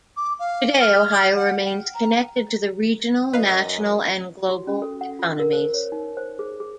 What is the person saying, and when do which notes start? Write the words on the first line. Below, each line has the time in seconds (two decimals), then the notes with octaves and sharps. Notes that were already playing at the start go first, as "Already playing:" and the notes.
Today Ohio remains connected to the regional, national, and global economies.
0.17 D6
0.39 F5
0.81 F6
1.36 F#5
1.65 G5
1.95 A#5
3.33 F#2 D#4 B4 F5
4.49 F#4
4.67 C#4
4.82 A4
5.01 F#5
5.19 F4
5.39 A#4
5.53 C5
5.74 C#5
5.92 D#4
6.17 C5
6.39 G#4
6.60 G#4